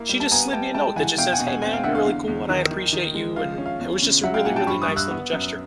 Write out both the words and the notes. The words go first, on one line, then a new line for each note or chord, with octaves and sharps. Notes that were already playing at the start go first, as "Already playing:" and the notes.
she just slid me a note that just says, "Hey, man, you're really cool and I appreciate you," and it was just a really, really nice little gesture.
Already playing: A#3 E4
G3
A5
B3 G#5 A#5
G3 G5 A5
G#3 G5 A5
E3 F#5 G#5
B2 F5 G5
F#5 G#5
B2
F#5 G#5
C4 F#5 G#5
F5 G5
D3 E5 F#5
F5
E2 F5
E2
D#3
D#3
D#3
G#3
F3 F5
C#4
F5
E2
C#3
F#3 E5 F#5
F5 G5
A#2 F#5 G#5
G5 A5
G2 B5 C#6
C#6 D#6
G2
E6 F#6
B3
F#2